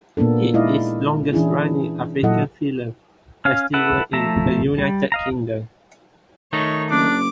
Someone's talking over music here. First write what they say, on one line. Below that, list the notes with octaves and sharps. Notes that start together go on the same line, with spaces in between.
It is the longest running African film festival in the United Kingdom.
A#2 A#3 B3 D4 A4
G#3 D#4 E4 D5 D#5 F5
E3 C#4 D4 E4 G#4
A#2 F#3 E4 A4 D#5 F#5
C#4 F5
E4 A4 B4 E5 F#5
F3 A3 E5 A5 A#5
G3
D#5 F5 A#5
D#3 A3 D#4 C#5
F#1 D4 D6